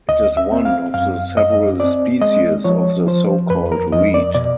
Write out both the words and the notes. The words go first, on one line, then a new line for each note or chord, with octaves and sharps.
It is one of the several species of the so-called reed.
D2 D#5
E5
C4
F5
F#2 F5
F#2 D#5
C4 D5
G#3 D#5
F3 C#5
F3 C5
F2 B4
A#4
F2 D#5
D5
B2 D5